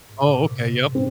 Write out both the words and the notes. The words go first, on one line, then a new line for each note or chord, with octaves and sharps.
Oh, okay, yep.
G#2
A#2
C3
C3
G#2
C4